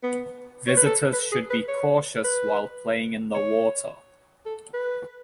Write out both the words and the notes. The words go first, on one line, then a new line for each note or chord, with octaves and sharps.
Visitors should be cautious while playing in the water.
B3
C#5
B4
A4
B4
G#4
B4
C#5
B4
C#5
A4
B4